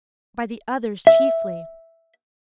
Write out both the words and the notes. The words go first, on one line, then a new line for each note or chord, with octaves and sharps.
'By the others chiefly.'
E5